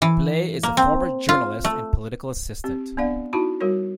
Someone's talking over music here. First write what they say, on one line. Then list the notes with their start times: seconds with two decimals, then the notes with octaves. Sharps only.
Blais is a former journalist and political assistant.
0.02 E3
0.63 A#3
0.77 C4
1.29 F4
1.65 A3
2.64 C4 G4
2.97 B3 D4 D5 F5 F#5
3.33 D#4 E4 F#4 A5 B5
3.61 G3 F#4 A#4 C#5